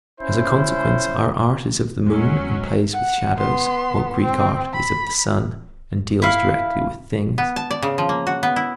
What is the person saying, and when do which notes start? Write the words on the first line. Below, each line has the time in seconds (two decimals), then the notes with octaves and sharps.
As a consequence our art is of the moon and plays with shadows, while Greek art is of the sun and deals directly with things.
0.19 C#4 E4 C5
2.06 E2 F#3 G#3 C#4
2.93 F#5
3.37 B3 C6
4.22 C4
4.73 B5
6.22 E4 F5
7.38 B3
7.56 A5
7.71 D5
7.82 C#3
7.98 F3
8.09 A#3
8.27 F#4
8.43 B3
8.56 E4